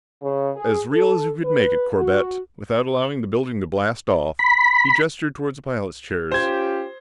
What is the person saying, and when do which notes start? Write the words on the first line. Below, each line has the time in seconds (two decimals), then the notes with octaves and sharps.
"As real as we can make it, Corbett, without allowing the building to blast off." He gestured toward the pilot's chairs.
0.22 C#3
0.56 G#4
0.93 A4
1.44 B4
1.97 F#4
4.39 B5
6.32 C#4 F4 G4 C5 G#6